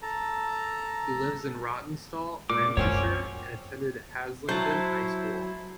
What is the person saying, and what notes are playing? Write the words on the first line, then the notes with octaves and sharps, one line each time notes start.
He lives in Rawtenstall, Lancashire, and attended Haslingden High School.
A4 A5 A#5
A#2 D6
F#2 F#3 C4 C#4 C#5
F#3 E4 C5 A5